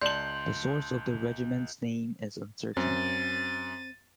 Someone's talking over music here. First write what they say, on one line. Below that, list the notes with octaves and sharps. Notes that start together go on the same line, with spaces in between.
The source of the regiment's name is uncertain.
C#2 D5 A5 C6 G6 F#7
F#2 C4 A6 D#7